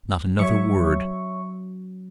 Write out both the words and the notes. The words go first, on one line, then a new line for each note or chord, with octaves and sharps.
Not another word.
F#3 C#5 E5 C#6